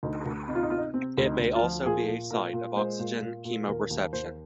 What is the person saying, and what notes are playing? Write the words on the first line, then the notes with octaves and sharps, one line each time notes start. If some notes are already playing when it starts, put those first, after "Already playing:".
It may also be a site of oxygen chemoreception.
D2 D#4
D2
C3 D#4
F4
D#4
C3 F4
D#4
C3 C4
D2
D#4
D2
F4
F3
A#2 G#4
A#2
A#2 A#4
A#2
G#3 C5
A#2
A#2
A#2
D#2 A#4
D#2
D#2 C5